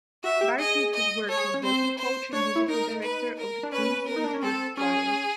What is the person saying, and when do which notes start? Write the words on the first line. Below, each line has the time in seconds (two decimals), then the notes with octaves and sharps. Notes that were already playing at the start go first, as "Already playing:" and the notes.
Barry-Smith has worked as vocal coach and musical director of the Queensland Youth Choir.
0.24 F#4 E5
0.41 G4
0.59 G#4 D#5
0.94 D#5
1.29 A4 C#5
1.37 G#4
1.54 C#4
1.63 C4 C5
1.98 C5
2.33 D4 C#5
2.56 E4
2.68 D#4 A#4
3.03 B4
3.38 A#4
3.63 D4
3.72 C#4 B4
4.07 A#4
4.16 D#4
4.24 D4
4.34 C#4
4.42 C4 A4
4.77 C#4 G#4